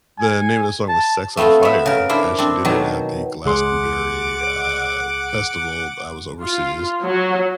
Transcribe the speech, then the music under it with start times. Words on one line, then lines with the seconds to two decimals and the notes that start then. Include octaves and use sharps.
the name of the song was Sex on Fire, and she did it at the Glastonbury, uh, Festival, b I was overseas.
0.19 G#5
0.89 A5
1.37 A3 B3 C4 F4 F#4
1.63 B3 E5
1.86 C#3 A#4
2.09 D4 E4 C5 G5
2.38 C4 D4
2.65 B2 D#3 F#3
3.45 C#2 G#4 F#5 C6 D6
6.43 F4
7.07 F#3